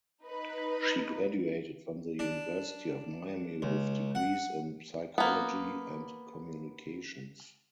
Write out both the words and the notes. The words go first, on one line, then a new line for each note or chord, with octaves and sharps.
She graduated from the University of Miami with degrees in psychology and communications.
D#4 B4
D4
C#2
F#5
A#3 B3